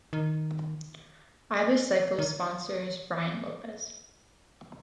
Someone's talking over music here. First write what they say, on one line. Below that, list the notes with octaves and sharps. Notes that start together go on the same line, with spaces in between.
Ibis Cycles sponsors Brian Lopes.
D#3
D#3